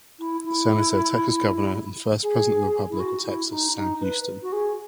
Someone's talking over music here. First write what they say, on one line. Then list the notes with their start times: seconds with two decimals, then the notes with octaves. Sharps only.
Senator, Texas Governor, and first President of the Republic of Texas, Sam Houston.
0.19 E4
0.45 E4
2.23 G#4
2.90 E4
2.99 F#4
3.25 E4
3.50 D#4
3.75 D#4
4.01 B4
4.42 F#4
4.52 G#4